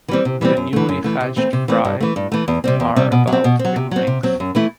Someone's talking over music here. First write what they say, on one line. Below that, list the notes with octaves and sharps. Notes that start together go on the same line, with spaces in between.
The newly hatched fry are about in length.
E3 G3 C4
C3
E3 G3 C4
F#2
E3 A3
F#2
E3 A3
C3
E3 A3 C4
C3
E3 A3 C4
G2
E3 A3
G2
E3 A3
E2
C3 G3 C4
E2
C3 G3 C4
B2
F#3
C4
B2
C4
F#3
C3
F#3 C4
C3
F#3 C4
F#2
E3 A3 E4